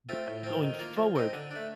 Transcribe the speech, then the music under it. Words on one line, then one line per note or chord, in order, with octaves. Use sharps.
but going forward,
A3 C4 F4
A2
F3 C4
D#3
A#3 F4
F3
C4 D#4
D3
A3 D4